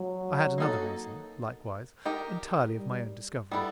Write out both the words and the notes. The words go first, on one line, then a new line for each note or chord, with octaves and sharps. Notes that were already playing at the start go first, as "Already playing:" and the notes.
I had another reason, likewise, entirely of my own discovering.
Already playing: F#3
A#3 D#4 F#4 A4
D#4 G4 A#4
G3
G3 B3 E4 A4